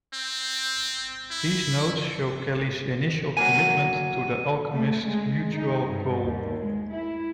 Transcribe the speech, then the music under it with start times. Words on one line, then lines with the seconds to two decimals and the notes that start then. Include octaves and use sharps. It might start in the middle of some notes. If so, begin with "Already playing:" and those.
These notes show Kelley's initial commitment to the alchemists' mutual goal.
0.14 C4
1.31 E4
3.37 F#3 A#3 G#5 D#7
4.73 A3
5.06 G#3
5.54 D#4
5.85 G2
6.23 D#2
6.58 G#3
6.91 E4